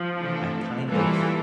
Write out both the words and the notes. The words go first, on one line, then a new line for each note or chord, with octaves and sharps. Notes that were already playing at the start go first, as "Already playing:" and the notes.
I kind of
Already playing: F3
C3 E3 A3 D4 A4
A2 E3 G3 A#3 F4 A4